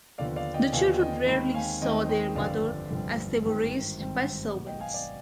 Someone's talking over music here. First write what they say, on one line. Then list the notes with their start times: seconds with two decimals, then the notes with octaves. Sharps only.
The children rarely saw their mother, as they were raised by servants.
0.18 D#2 D3 F3 B3 D5 F5
0.36 D5 F5
0.54 D#5 G5
0.73 D#2 D3 F3 B3 F5 G#5
1.00 D#5 G5
1.27 D#2 D#3 G#3 C4 G5 B5
1.54 F5 G#5
1.81 D#2 D#3 G#3 C4 D#5 G5
2.09 D#5 G5
2.35 G1 F2 D3 G3 C4 D5 F5
2.91 G1 F2 D3 G3 C4
3.45 G#1 G2 D#3 G3 C4
3.99 G#1 G2 D#3 G3 C4
4.54 B1 B2 B3
4.66 D#5 G5
4.80 F5 G#5
4.94 D5 F5